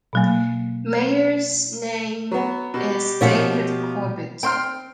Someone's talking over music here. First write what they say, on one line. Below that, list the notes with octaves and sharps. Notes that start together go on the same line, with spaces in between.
Mayors name is David Corbitt.
B2 F#3 A#3
F#3 B3
B2 G4
B2 F3 C#4 E5 F#5
C4 G5 C6 F6